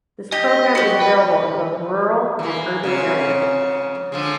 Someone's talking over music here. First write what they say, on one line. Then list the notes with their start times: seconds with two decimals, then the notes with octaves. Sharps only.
This program is available in both rural and urban areas.
0.32 G4 D#5
0.75 F#4 G4
1.01 B4
2.39 E3 A#3
2.83 F2 G#2 C#3
4.12 D3 F3 G#3